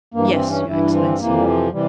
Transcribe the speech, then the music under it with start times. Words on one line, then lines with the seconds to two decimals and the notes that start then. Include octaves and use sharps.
"Yes, your excellency."
0.14 G2 E3 A#3
0.32 C4
0.50 C#4
0.67 G2 E3 E4
0.94 C4
1.20 F2 C3 E3 A#3
1.38 G3
1.47 F3
1.72 C3 E3 G3